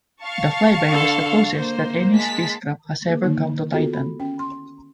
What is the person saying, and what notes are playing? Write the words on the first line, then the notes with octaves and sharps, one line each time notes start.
The flyby was the closest that any spacecraft has ever come to Titan.
F5 A5 C#6
D3 A4
A#3 C5
G#3 A5 B6
A#3 G#4
D3 D#3 A#3 D#4
B3 F4 F#4 G#4 A4
B5
C#4 G5
C6